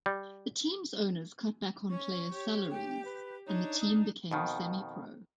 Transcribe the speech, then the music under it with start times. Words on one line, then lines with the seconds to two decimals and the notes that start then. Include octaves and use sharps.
The team's owners cut back on players' salaries, and the team became semi-pro.
0.06 G3
1.90 C#4 C#6
2.32 G4 C#5
2.71 G4 G5
3.05 B4
3.47 D4 D#4 C#5
3.81 D#6
4.31 F2 B2 D#3